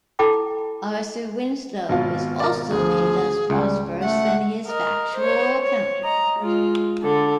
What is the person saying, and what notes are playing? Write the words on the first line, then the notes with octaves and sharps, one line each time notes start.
Arthur Winslow was also made less prosperous than his factual counterpart.
E4 A4 G5 A5 B5 D6
G#1 B2 F4
A#4 D5
D2 F3 G#4
C#2 G3
A3 F#5
A#4 D#5
C5 C#5
C#5
D#5 A#5
G#3 F4
D3 A4